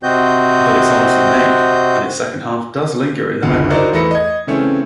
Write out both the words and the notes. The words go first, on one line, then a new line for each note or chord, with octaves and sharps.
But it's honestly made, and its second half does linger in the memory.
C3 C4 F#4 D#5 G6
F#1 D2 D3 F4 F#5
D#4 E4 F#4 A#4 C5 D5
E2 A3 B4 A#6 C#7
D#5 G#6
C#3 E3 A3 C4 C#4